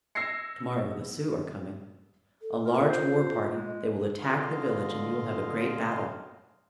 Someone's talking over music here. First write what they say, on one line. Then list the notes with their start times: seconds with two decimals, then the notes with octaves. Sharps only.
Tomorrow the Sioux are coming--a large war party. They will attack the village, and you will have a great battle.
0.15 E6 G#6 A#6 C7 C#7
2.41 A4
2.65 F4 A#4
2.89 C5
3.54 G#3
4.21 B2 D3 F4 D#5 F5